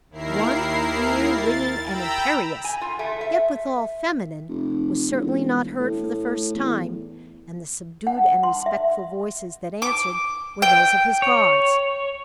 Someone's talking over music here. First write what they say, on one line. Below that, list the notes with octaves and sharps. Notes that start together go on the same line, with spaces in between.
One, clear, ringing, and imperious, yet withal feminine, was certainly not heard for the first time; and the subdued and respectful voices that answered, were those of his guards.
D#2 E4 A#4 C7
A6
G5 A#5 B5 E6
G#5
F4
A3
E5
F1
E1
A2
E2
F#5
C6
E5
D6
G5
C#5